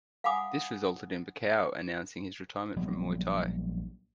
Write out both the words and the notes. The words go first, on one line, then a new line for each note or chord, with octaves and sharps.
This resulted in Buakaw announcing his retirement from Muay Thai.
F5 F#5 G#5 B5 D6 D#6
A#1 F#3 G3 B3